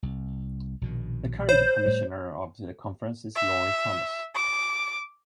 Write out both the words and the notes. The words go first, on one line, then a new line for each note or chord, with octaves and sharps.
The current commissioner of the conference is Lori Thomas.
C2
A#1 B2 D#3
C5 C#5
A2 G3
E5
D6